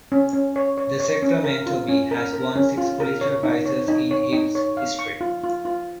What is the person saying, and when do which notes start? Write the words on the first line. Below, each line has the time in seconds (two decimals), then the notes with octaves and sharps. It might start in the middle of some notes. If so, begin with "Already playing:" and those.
The "Sacramento Bee" has won six Pulitzer Prizes in its history.
0.12 C#4
0.33 C#4
0.56 C#5
0.78 C#5
1.00 C#5
1.22 C#4
1.44 A#4
1.66 F4
1.89 C#4
2.11 A#4
2.33 A#4
2.56 C#4
2.78 F4
3.00 A#4
3.21 C#5
3.43 D#4
3.66 C#5
3.88 D#4
4.11 C#5
4.33 D#4
4.55 C#5
4.77 F5
4.99 C#6
5.21 F4
5.43 F4
5.65 F4